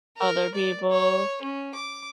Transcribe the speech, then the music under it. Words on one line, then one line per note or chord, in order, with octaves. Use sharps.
Other people.
A#4
D5
C#5
C#4
D6